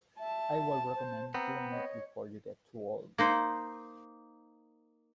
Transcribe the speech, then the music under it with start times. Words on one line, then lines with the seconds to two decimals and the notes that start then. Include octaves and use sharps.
I would recommend doing it before you get too old.
0.19 E5 A5
0.95 C5
1.34 B3 C4 A#5
1.71 C#5 D#5
3.18 A#3 D#4 C5